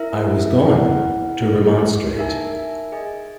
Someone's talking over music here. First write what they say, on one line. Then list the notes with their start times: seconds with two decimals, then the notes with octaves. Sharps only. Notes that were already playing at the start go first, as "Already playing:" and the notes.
I was going to remonstrate.
Already playing: E4 A#4 E5
0.67 E4 B4 F#5
1.42 E4 G#4 B4
2.17 D#4 A#4 E5 G#5
2.92 G#4 D#5 G#5